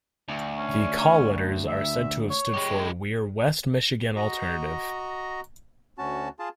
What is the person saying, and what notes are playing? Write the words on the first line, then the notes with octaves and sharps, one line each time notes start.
The call letters are said to have stood for "We're West Michigan Alternative".
D2
C#4
E5
C#5
G#3 G4
F#4 D#5 A#5
D2 C#4 F#4 A5
F4 G#4 A5